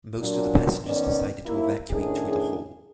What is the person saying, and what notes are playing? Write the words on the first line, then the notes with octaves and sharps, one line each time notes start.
Most of the passengers decided to evacuate through the hole.
A#2 F#3 D4
D#3 B3 C#4 D5
D#2 A#3 E4
A2 D#3 C#4 D4 G#4